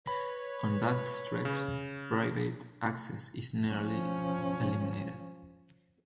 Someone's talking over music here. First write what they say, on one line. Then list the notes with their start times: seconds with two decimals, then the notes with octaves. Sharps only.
On that stretch, private access is nearly eliminated.
0.07 B4 C#5 B5
1.45 C#3
3.69 F3 C#4